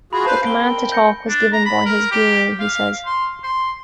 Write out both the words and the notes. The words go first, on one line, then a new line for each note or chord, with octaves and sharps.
The 'command' to talk was given by his Guru, he says.
F4 F#4 G#4 B5
B4 C5 F5 A5 B5
A#3 C4 D7 G7
G6 A#6 C#7
D4
A#5
B5
A#4
G4
F5
C6
C6